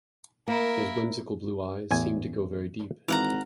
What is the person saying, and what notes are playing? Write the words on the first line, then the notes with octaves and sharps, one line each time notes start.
His whimsical blue eyes seemed to go very deep.
A#3 E4 A#4
A1 E2 G#5
G#1 E3 F5 F#5 A#5